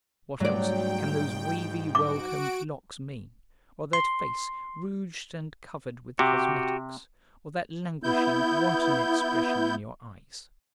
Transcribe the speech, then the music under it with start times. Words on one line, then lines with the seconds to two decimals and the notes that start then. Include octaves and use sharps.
What else can those wavy well-combed locks mean or that face, rouged and covered with cosmetics, or that languishing, wanton expression in your eyes?
0.40 G#2 F#3 G3 A3 D5 G5
1.95 F#4 D6 D7
3.93 C6
6.19 C3 F#4 G4
8.03 B3 E4 G6